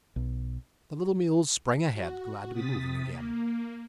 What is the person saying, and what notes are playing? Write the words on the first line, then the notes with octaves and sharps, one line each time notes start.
The little mules sprang ahead, glad to be moving again.
B1
F#4
C3 D#6 A6 B6
A#3